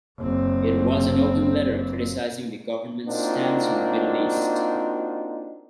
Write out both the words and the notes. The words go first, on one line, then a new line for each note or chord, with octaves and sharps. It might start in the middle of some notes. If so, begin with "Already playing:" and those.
It was an open letter criticising the government's stance on the Middle East.
F#1 C4
A#3 C4 D4 D#4 F4 F#4